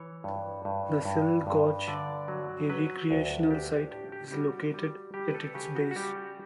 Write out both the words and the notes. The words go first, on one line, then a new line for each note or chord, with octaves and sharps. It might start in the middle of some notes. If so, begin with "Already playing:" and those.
The Sill Gorge, a recreational site, is located at its base.
Already playing: E3 C#5
G2
G2
G2
G2
D3 D5
F#3
F#3 B4
D2
D4 G4
G4
A2 G4
G4
G4
G3 F#4
G3
G3 G4
B4
A4
C#3 G4
F#4
F#4
G3 G4